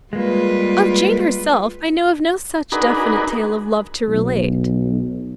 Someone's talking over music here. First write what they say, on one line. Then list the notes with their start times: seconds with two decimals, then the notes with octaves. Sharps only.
Of Jane herself I know of no such definite tale of love to relate.
0.13 G3 G#3 A#3 F4 B4
2.72 D4 D#4 F#4 G#4 A#4 B4
4.09 B1